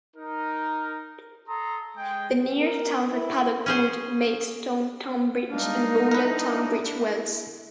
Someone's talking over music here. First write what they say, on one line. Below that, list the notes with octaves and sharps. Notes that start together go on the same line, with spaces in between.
The nearest towns are Paddock Wood, Maidstone, Tonbridge and Royal Tunbridge Wells.
D#4 A#4
A4 A#5 C6 D#6
G#3 G5
A#4
E4
C#4 G#4 C5
G3 G#3 D4 D#4 F5
D4 E4 A#4 B4